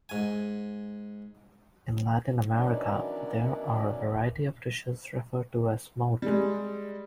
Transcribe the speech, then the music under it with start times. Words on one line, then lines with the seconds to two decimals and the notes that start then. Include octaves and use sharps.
In Latin America there are a variety of dishes referred to as mote.
0.09 G#2 G#5
2.50 B2 D#3 E3 F#3 C#4 D4
6.22 G3 G#3